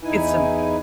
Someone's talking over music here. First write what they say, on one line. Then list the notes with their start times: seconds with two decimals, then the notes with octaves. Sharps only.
It's m
0.03 E2 D#4 E4 B4 G#5